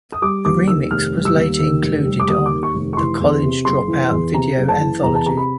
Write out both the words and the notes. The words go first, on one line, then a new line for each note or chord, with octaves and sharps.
The remix was later included on "The College Dropout Video Anthology".
D#6
G3 D6
D#2 D6
D#3 E6
F1 F6
G3
E6
D#2
D#3
F1
G3
D6
D#2 D#6
D6
D#3
C#6
F1
C#6
E3 C6
E2
C3
F#1 C6
E3
E2
C3 A#5
F#1
A5
E3
E2 A#5
A5
C3 A#5
B5